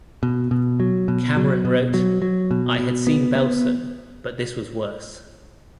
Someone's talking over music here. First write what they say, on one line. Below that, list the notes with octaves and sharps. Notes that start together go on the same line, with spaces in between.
Cameron wrote, I had seen Belsen, but this was worse.
B2
B2
F#3
B2
F#3
B2
F#3
F#3
B2
B2
B3
B3